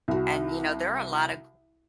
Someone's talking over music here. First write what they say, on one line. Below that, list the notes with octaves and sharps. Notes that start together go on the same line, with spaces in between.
and, you know, there are a lott g
C2 F#4